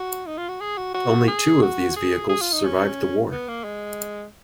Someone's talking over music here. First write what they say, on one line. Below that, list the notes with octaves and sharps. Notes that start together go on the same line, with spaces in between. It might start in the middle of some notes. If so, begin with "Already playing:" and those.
Only two of these vehicles survived the war.
Already playing: F#4
D#4
F4
F#4
G#4
F#4
F#4
G#4
F#4
G#4
G#4
F4
D#4
C#4
B3
A#3
G#3